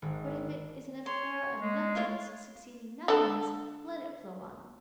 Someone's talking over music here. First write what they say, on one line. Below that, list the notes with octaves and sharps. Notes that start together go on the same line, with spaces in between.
But if it is an affair of nothings succeeding nothings, let it flow on.
G#1
C#5 C6
G#3
E4 F4 C#5
D3 A4